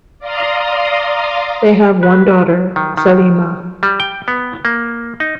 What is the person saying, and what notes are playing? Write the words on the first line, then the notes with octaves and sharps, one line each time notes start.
They have one daughter, Salima.
D5 F5 A#5 C6 D#6
B4
D#3
D#3
G3
G5
B3
A#3
D#4